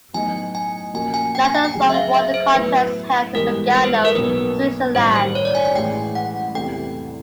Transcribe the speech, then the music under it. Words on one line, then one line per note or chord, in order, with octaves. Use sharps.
Neither song won the Contest, held in Lugano, Switzerland.
A2 F#3 B3 D#4 F#4 G#5
G#5
A#2 F3 A#3 C#4 F#4 G#5
G#5
G5
G#5
G5
G5
D2 C#3 F#3
E5
F5
E5
C5
A2 F#3 B3 E4 B4
G#2 E3 G3 B3 A#4
B4
C5
B4
A#4
B1 B2 F#3 A#3 B4
A1 G2 D#3 C5
C5
C#5
D5
G#5
G#5
A1 A2 E3 G#3 G5
F#5
E2 C3 E3 A3 G5